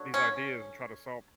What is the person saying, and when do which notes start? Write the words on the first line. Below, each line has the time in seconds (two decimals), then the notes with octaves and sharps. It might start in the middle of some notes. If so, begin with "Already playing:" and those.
these ideas and try to solve
Already playing: D3 F#3
0.14 C#4